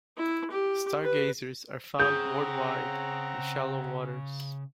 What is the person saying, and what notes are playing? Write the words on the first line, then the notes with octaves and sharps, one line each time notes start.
Stargazers are found worldwide in shallow waters.
E4
G4
B4
C#3 C4 G#4 F#5 A#5 D#6 G6